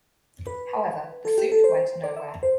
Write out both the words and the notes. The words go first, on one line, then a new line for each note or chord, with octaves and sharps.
However, the suit went nowhere.
B4
A4
G4
A4
C5
D5
E5
C5